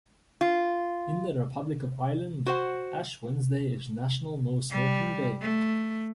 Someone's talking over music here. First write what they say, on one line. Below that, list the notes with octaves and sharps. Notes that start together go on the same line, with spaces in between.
In the Republic of Ireland, Ash Wednesday is National No Smoking Day.
F4
F#4 C5 F#5
G3
A3